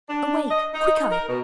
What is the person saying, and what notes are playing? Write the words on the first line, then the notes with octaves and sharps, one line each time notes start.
Awake! Quickeye!
D4
D#5
D#4
A#4
B2